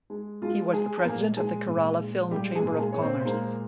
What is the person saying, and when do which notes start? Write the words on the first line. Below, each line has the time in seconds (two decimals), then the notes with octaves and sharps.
He was the president of the Kerala Film Chamber of Commerce.
0.10 G#3
0.42 G#3 F4
0.73 G#3 G#4
0.97 G#4
1.05 A#2 A#3 A#4
1.37 G#3 G#4
1.68 A#2
1.99 G#3
2.31 G3 G#3 G4
2.55 G#3 G#4
2.62 A#2
2.73 A#4
2.78 G#3 G#4
2.92 A#2 C#5
3.02 C4 C5
3.20 C5
3.25 G#3 A#3 A#4